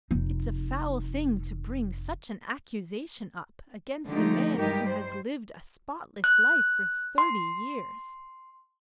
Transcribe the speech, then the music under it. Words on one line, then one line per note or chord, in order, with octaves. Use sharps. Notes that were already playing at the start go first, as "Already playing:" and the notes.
It's a foul thing to bring such an accusation up against a man who has lived a spotless life for thirty years.
F1 D#4
D3 F3 A3 D#4 G4
G2 G#3 D#4 G4 A#4
G3 C5
F#6
C6